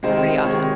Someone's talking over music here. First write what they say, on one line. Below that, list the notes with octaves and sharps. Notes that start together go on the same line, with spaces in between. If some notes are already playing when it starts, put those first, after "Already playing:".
pretty awesome.
C3 D#3 G#3 C5
C3 D#3 G#3 C#5